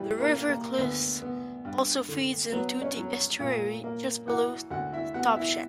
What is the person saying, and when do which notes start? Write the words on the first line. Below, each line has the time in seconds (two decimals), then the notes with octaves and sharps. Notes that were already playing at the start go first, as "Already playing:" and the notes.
The River Clyst also feeds into the estuary, just below Topsham.
Already playing: E3 G3 G4
0.20 A#3 A#4
0.35 A#3
0.49 A#3 A#4
0.78 D2 B3 B4
1.22 B3
1.65 G2
2.08 D3
2.52 F#3 B3 B4
2.82 C#4 C#5
2.96 F#3
3.40 A#2
3.84 A#3
4.27 E3 F#4 F#5
4.71 D2 F#4 F#5
4.92 E4 E5
5.14 B3 F#4 F#5
5.36 E4 E5